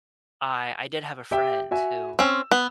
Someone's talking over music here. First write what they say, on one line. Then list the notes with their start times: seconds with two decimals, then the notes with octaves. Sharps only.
I I did have a friend who
1.31 G4 E5 G5
1.71 F#4 E5 G#5
2.19 C4 C#4 E6
2.51 B3